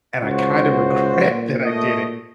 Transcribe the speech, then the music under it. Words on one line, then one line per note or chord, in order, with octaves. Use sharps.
and I kind of regret that I did it.
C#2 F#4 C5
A#2
A3 D#5